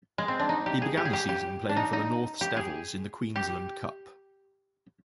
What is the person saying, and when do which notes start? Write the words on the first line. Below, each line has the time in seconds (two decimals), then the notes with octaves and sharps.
He began the season playing for the Norths Devils in the Queensland Cup.
0.18 G#3
0.28 C4
0.40 D4
0.49 D#4
0.66 G4
0.82 G#4
0.97 G4
1.05 G#4
1.13 G4
1.29 G4
1.69 D4
1.77 D#4
1.93 D#4
2.41 G4
2.57 G#4
3.36 G4